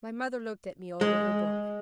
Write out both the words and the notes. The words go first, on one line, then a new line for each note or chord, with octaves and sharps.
My mother looked at me over her book.
G#3